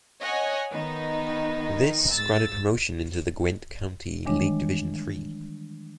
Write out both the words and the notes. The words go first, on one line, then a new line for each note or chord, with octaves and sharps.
This granted promotion into the Gwent County League Division Three.
C#5 D#5 F#5 G#5
D#3 B3 D#4
G#2 E6 A6
D#3 E3 G3 G#3 D4 C#5